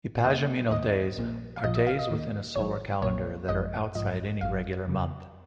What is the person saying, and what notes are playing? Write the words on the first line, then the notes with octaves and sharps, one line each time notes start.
Epagomenal days are days within a solar calendar that are outside any regular month.
F2 D#3 A#3 D#5
D#2 D#3 A#3 D#5
A#1 A#2 F3 A#3
F5
A#1 A#2 F3 D#5
D#5
F5
D#5
D#2 D#3 A#3
G#1 G#2 D#3 F#3 C#5
B1 A#2 F#3 A#3 C#5
G#1 F#2 F3 G#3 D#5
A#1 G#2 F3 D#5
G#1 G#2 F#3 F5
F2 C#3 F#3